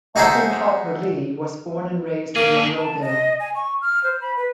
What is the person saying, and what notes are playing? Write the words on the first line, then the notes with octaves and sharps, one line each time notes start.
Author Harper Lee was born and raised in Monroeville.
D#4 F#4 G#4 A4 C5 E5
A#3 D4 G#4
A5
D#5
G#5
C#6
F6
C5
B5
B4